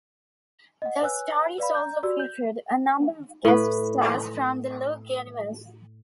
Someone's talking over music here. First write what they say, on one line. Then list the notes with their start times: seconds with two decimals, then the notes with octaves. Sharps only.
The stories also featured a number of guest-stars from the Lug universe.
0.82 D#5 F#5
1.02 B4 C#5 G#5 E6 F#6
1.58 B4 D5 F5 B5
1.75 A#5 G6
2.03 F#4 G4 D5 E6
2.20 G6
3.45 A2 B4